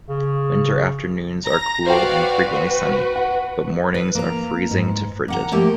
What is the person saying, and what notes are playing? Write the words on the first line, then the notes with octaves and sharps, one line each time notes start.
Winter afternoons are cool and frequently sunny, but mornings are freezing to frigid.
C#3
A#5 A#6
F#4 B4 C5 D5 F5 G5
F#4
F#5
B4
A#3 A#5
G#2
A#3 F#5 A#5
F3 A3 A#3 G4